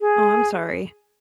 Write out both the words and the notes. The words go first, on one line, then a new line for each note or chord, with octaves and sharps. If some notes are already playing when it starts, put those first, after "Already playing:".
Oh, I'm sorry.
G#4